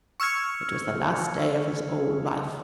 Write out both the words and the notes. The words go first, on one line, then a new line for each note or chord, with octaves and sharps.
It was the last day of his old life.
C#6 E6 F6 G#6 C#7